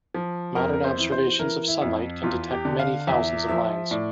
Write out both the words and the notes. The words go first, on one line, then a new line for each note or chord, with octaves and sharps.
Modern observations of sunlight can detect many thousands of lines.
F3
F2 A#4
A#4
C5
E3
C5
E3 A#4
E4
F2
E2 F4
G4
D3
F5
E2 E5
F3 E5
A2 D5